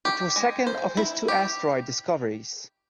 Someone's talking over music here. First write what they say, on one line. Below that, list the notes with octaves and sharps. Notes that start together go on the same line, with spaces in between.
It was second of his two asteroid discoveries.
G4
G#3
C5
E4
G4